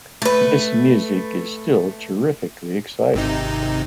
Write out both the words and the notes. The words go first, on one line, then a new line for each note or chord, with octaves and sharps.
This music is still terrifically exciting.
A3 B4
G#1 C3 D#4